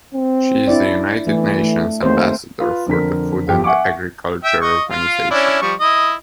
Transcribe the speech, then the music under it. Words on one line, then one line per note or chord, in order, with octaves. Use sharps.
She is a United Nations Ambassador for the Food and Agriculture Organization.
C4
D4 E4 D5
E3 A3
A3
D#2 A3 C4 C5
F4 B4
F2 D3 A#4 B6
G1 F3 G4
E5 F#5 G#5 C#6 D6
E5 G5
D#5 C#6
F4 F5
C#4 D4 E4
F3 G3 C#6
E4 D#5